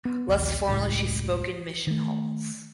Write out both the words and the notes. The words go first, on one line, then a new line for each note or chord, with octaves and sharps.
Less formally she spoke in mission halls.
B3
A#1 D#2
E1 C#2 A2 G#3
D#3 A3